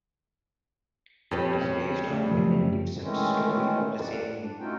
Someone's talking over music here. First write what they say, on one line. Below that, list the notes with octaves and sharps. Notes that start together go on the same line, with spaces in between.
It is based on William Gibson's story of the same name.
F2 C#4 G4 B4
G3 A3
F#2 C#3 F3
D#3 E3 G#3 A3 C#4
D5 F#5
D4
A3 C#4 D#4 F4 F#4 G5